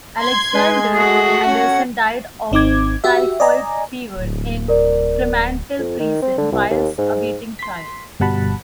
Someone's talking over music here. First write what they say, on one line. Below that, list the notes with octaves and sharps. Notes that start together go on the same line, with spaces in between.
Alexander Anderson died of typhoid fever in Fremantle Prison whilst awaiting trial.
C6 G#6
G#3 B4
A3 F#4 G#4
C#4 F#5
G#1 C4 D#4 D6 G#6
F#4 G4 E5
D5 D#5 G#5 A#5
D1
A#4 D5
F2
D#3
C4
D3
C2
D#2
G#2
C6 B6
G1 B2 G3 F#5 A5 B5